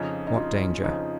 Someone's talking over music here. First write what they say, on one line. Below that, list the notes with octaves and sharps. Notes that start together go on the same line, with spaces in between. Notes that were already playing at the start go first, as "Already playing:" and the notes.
"What danger?"
Already playing: F2 C#3 F3 D#4
D#4
F4
F2 C#3 F3 D#4